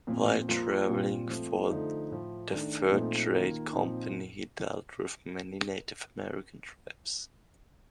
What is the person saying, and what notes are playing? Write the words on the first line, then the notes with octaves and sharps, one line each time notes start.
While traveling for the fur trade company he dealt with many Native American tribes.
A#2 F3 C4
F3 A#3 F4
A#2 G3 C4 F4
F3 A3 C4
D3 F3 A3 D#4
A2 F3 A3
D#3 A3 D4
A#2 F3 A3 C4 D#4
D#3 A#3 F4
A#2 F3 C4 D#4